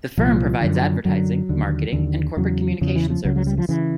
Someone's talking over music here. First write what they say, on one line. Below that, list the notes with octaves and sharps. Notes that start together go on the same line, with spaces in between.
The firm provides advertising, marketing, and corporate communications services.
C2 A#2 F3
F#2 D3
F#2 D3 F#3
D#2 D3
D#2 D3
E2 C#3 F#3
E2 C#3 F3
E3
F3
C#2 C#3 F#3
F#3
G3
F3
C#3 E3